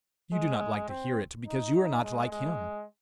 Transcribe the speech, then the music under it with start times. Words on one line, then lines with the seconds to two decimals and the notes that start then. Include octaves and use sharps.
You do not like to hear it because you are not like him.
0.33 G#3
0.89 C4
1.47 D#4
1.74 D#4
2.03 G#3
2.31 G#3